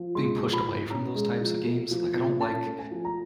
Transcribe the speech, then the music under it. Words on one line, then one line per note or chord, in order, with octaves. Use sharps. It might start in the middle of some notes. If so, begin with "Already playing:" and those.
being pushed away from those types of games, like, I don't like
Already playing: F3
G#3 C6
F3
B5
A2
C#4 A#5
G#3
F3
A3
F3
A#2
C#4 A5
A3
G#5
F3
A#5